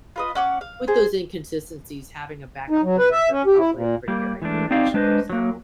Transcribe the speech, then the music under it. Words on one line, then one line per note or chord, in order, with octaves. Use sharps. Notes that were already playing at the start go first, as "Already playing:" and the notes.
with those inconsistencies, having a backup plan is a probably a pretty good idea, actually, so,
F4 B4 D#5
C#4 F#5 D6
F5
G#4 C5
D#4
F#3
B4
E5
C#4
G4
E4
A#2
G3 A#3
E3 G#3 A3 D4
C4 D#4 G4 D5 F5
G#3 D4 B4 C5 D#5
F#3 A#3